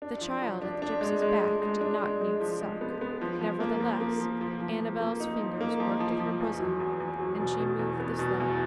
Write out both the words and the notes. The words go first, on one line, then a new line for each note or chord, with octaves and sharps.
The child at the gipsy's back did not need suck; nevertheless, Annabel's fingers worked at her bosom, and she moved the sling.
D4
F3
F3
D4
D4
G#3
G#3
G#3
G#3
D4
G#3
G#3
F3
G#3
B3
B3
F3
F3
A#3
F3
A#3
F3
F3
F3
F3
A#3
D#4
F3
A#3
F3
F3
F3
E2
F#3
E2
E2
F#3
B2
B2
E2
B3
B2
E2